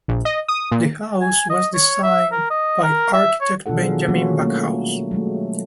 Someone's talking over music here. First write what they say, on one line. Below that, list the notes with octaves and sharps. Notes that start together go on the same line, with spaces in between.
The house was designed by architect Benjamin Backhouse.
A#1
D#5
D#6
A#2
G#5
D#5
C#5
E5
A#4
D#5
A#4
E5
C#5
B2 D4 F4 A4 F#5
D#3 F#3 F4 G#4 A#4
F#3 A3 A#3 C#4 F4 F#4
G3 A3 A#3 C#4
F#3 G#3 A3